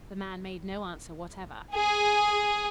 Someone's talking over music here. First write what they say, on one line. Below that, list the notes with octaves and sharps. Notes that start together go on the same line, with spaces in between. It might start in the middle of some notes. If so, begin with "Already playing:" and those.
The man made no answer whatever.
G#4